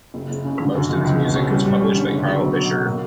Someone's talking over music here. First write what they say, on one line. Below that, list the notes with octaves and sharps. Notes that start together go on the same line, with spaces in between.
Most of his music was published by Carl Fischer.
F#1
F#1
C#3
D3
F#2
F#1
C#2
B2
C#4
G3
G3
C#4
D3
F#1
F#3
B1
F#3
B1
A#3